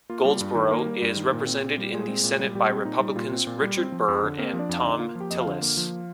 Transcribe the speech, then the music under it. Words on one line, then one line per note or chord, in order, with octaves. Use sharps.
Goldsboro is represented in the Senate by Republicans Richard Burr and Thom Tillis.
A#3 F4
G3
G2
D#3
A#3 A#4
G3
G2
D#3
A#2
C4
A#2
G3 G4
A#2 G#3 G#4
C4
A#2
G3
A#2 G3 G4
C4
A#2 D#4
G3
A#2 F4
C4
A#2
G3
C4
F3
F2
D3
A#3 C4 A#4
F3
D4 D5
F2 F5
D#4 D#5
D3
A#3 F4 F5
F3
G4 G5
F2 D#5
F4 F5
D3
A#3
F3